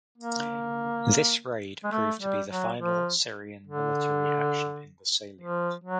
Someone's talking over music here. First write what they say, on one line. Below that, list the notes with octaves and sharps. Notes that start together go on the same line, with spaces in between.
This raid proved to be the final Syrian military action in the salient.
A#3
G#3
A3
G3
F#3
F3
D3
F3
F#3